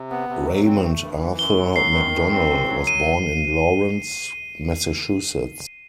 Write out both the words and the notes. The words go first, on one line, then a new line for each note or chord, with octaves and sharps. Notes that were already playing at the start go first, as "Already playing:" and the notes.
Raymond Arthur MacDonnell was born in Lawrence, Massachusetts.
Already playing: C3
B3
C3
F#3
C4
A3
G2
E3
F#2 G7
F#3
F#2 C7
D#3
F#2
C4
F#2
F#3
D#7